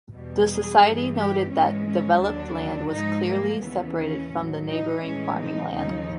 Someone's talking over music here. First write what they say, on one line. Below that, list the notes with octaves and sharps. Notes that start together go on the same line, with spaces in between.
The Society noted that developed land was clearly separated from the neighboring farming land.
E2 B2 G3
G#4
G2 E3 G3
G4
G#2 E3 G#3 C#4
C#4
D#2 D3 F#3 D4
G#2 F3 G#3 D#4
A#3
D#2 C#3 E3 B3
C#4
A2 F#3
D#4
A2 E3 G#3 C#4
D#4
D#2 C#3 F3 D#4